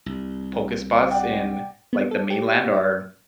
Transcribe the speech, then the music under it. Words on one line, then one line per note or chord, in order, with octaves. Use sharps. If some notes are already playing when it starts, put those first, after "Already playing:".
poke spots in, like, the Mainland are
C2
D5 F#5 G5
B3
A4
G4